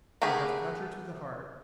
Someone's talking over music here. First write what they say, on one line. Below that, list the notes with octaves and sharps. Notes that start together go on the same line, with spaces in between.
"You have cut her to the heart."
A3 B3 G4 G#4 A#4